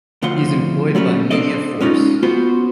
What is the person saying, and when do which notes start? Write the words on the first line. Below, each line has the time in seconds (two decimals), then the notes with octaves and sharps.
He is employed by Media Force.
0.22 D2 A2 F3 F#5 C6
0.95 F#3 G3 A3 C#4
1.31 D4 A4 C5 D5 D#5
1.81 G#3 C#4 D#4 F4
2.23 B3 F4 F#4 C5